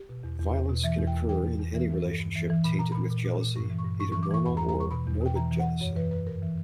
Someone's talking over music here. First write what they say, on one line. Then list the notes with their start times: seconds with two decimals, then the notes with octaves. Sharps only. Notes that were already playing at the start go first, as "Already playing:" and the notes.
Violence can occur in any relationship tainted with jealousy, either normal or morbid jealousy.
Already playing: G4
0.09 B2
0.23 E2
0.39 E2
0.54 E2
0.69 B2
0.84 E3 E5
0.99 E2
1.07 G5
1.14 E2
1.29 E3 G5
1.44 E2
1.59 E2
1.75 E3
1.90 E3
2.05 G2
2.20 G2
2.35 E3
2.50 E3
2.64 A#2 B5
2.79 A#2 A#5
2.92 A#2 B5
3.11 A#2
3.25 A#2
3.41 A#2
3.56 G2 C#6
3.70 E3
3.79 C#6
3.85 G2
4.00 G2 C#6
4.12 E3 C#6
4.23 D6
4.31 E3 C#6
4.45 E2 B5
4.57 A#5
4.61 E2
4.69 A#5
4.75 E2 C#6
4.91 B2 B5
5.07 E2
5.21 B2 G5
5.36 E3 A#5
5.51 E3
5.59 F#5
5.67 E3
5.81 F#2 C#5
5.96 E3 B4
6.11 F#2 B4
6.27 G2 A#4
6.42 E3